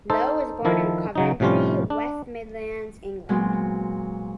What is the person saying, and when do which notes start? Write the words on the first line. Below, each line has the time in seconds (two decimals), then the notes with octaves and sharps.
Lowe was born in Coventry, West Midlands, England.
0.10 D#4 A4 C5
0.65 D#3 F3 E4 A4
1.15 C#3 F#3 D#4
1.40 A2 C3 F3 G3 C#4 F4
1.90 D4
3.29 A#2 F#3 G#3 B3 C4